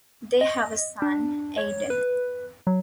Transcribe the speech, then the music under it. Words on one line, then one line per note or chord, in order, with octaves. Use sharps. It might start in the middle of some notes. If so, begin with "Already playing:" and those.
They have a son, Aidan.
D#5
D4
C#5
B4
F#3